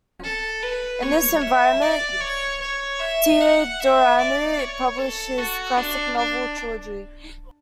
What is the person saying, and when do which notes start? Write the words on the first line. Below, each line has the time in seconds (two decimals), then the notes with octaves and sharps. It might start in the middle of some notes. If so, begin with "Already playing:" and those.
In this environment, Teodoreanu published his classic novel trilogy.
0.23 A4
0.63 B4
1.02 C#5
1.41 E5
1.82 D5
2.21 C#5
2.61 C#5
3.00 E5
3.41 F#5
3.80 E5
4.18 D5
4.59 C#5
4.98 A4
5.38 F#4
5.78 D4
6.17 D4